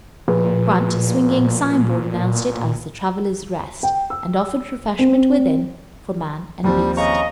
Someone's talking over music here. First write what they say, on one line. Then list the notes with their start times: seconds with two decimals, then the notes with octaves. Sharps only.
In front, a swinging sign-board announced it as the "Traveller's Rest" and offered refreshment within for man and beast.
0.28 A#2 F3 G#4 B4
3.83 G5
4.10 E6
4.99 C4
6.64 D#2 F3 G3 C4
6.97 C#3 D#5 A#5 C#6